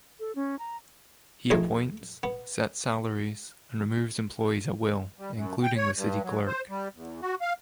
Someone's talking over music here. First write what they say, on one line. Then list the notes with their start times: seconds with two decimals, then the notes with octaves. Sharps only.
He appoints, sets salaries and removes employees at will, including the city clerk.
0.20 A4
0.35 C#4
0.59 A#5
1.50 A#1 D#2 A3 D#5 G#5 C6
2.23 B3
5.18 G3
5.33 F#2
5.63 G5
5.77 C#5
5.95 G2
6.23 F#3
6.47 C5
6.69 G3
6.95 E2
7.22 F#4
7.41 F5